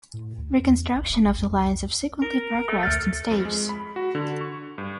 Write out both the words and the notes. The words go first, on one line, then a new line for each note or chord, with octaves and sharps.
Reconstruction of the line subsequently progressed in stages.
A2
D2
E2
A#1
D1
A#1
F2
C2
A#4
G1
A3
D2 F6 A6
F2
G#3
B5
F#4
D3
C#6
G2